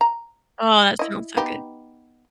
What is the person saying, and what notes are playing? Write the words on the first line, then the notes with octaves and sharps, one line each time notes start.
Oh, that sounds so good.
A#5
E4 D#5
B3 D#4 G4